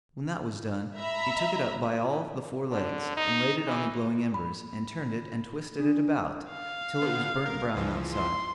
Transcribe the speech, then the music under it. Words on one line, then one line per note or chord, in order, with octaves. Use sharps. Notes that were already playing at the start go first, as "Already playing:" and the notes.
When that was done, he took it up by all the four legs, and laid it on the glowing embers, and turned it and twisted it about till it was burnt brown outside.
E5 A#5 B5
D3
D#4
E3
B5
D4
F5
D3 B3
A#4
C#2 E3 F3
C6